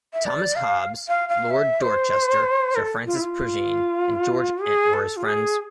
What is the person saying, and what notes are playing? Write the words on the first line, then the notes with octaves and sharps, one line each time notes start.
Thomas Hobbes, Lord Dorchester, Sir Francis Prujean and George Ent were his friends.
E5
D5
F5
F5
F5
E5
C5
A4
F4
E4
F4
G#4
A4
F4
G#4